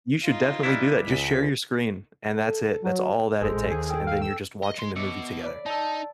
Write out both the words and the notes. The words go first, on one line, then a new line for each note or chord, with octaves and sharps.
you should definitely do that. Just share your screen, and that's it, that's all that it takes, and then you're just watching the movie together.
D#4 F4
G3 D4 E4
C#2 B6
A4
F#3
F#1 G#3 A4 C5
A1
D#2 G#4
A4 G5
F5
E6
D#5
G#3 C6
B2 E5 D6 C#7
D5 B5
D#4 A5 E6